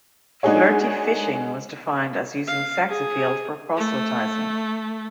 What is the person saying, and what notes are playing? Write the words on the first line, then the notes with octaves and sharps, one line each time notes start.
Flirty Fishing was defined as using sex appeal for proselytizing.
G#3 D4 D#4 F#4 G#4 C#5
F5
G#4
A3